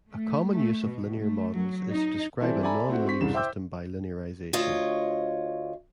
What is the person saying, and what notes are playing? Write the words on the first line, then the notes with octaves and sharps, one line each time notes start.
A common use of linear models is to describe a nonlinear system by linearization.
A3
A3
B2
A3
F#3
D#4
E3 G3 C4 E4 A4
A4 D5 E5 G#5 A#5 B5
A3 C4 E4 F#4
C4 C#6 B6
C2 G2 C#3 E7
C5 E5 G5 D6 E6 G6
D2 F4 C#5 D#5